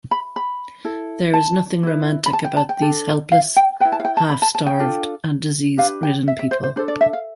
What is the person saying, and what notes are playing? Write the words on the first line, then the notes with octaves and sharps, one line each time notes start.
There is nothing romantic about these helpless, half-starved, and disease-ridden people.
B5
B5
E4 A4
A5
E4 B4
B5
A5
G5
A5
G5
D4 A4
F5
G5
E4 B4 G5
A5
F5
G5
A5
B5
A5
A5
G5
D4 F4 A4
D4 G4 B4 F5
G5
E5
E5
C5
C5
D4 A4 C5
D5
E5
F5